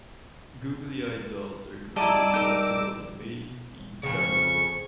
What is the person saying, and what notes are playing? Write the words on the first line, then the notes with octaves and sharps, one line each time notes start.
Googly eyed dolls are considered collectible and may be valuable.
G3 E4 D5 D#5 A5 A#5 D6 E6
D#4 A#4
F2 C#3 C#6